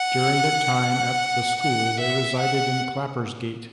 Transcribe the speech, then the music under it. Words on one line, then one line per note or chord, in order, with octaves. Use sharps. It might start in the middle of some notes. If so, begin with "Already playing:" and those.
During their time at the school they resided in Clappersgate.
Already playing: F#5
F#5
E5
F#5